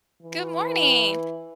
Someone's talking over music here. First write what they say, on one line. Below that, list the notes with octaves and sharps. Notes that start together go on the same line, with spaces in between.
Good morning.
E3